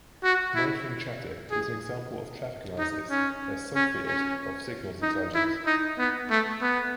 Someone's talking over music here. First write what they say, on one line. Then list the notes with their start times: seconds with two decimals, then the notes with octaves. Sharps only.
Monitoring chatter is an example of traffic analysis, a sub-field of signals intelligence.
0.24 F#4
0.55 E4
1.51 G#4
2.78 D#4
3.10 C#4
3.75 C#4
4.06 C#4
5.02 D#4
5.35 E4
5.66 D#4
5.99 B3
6.30 A3
6.62 B3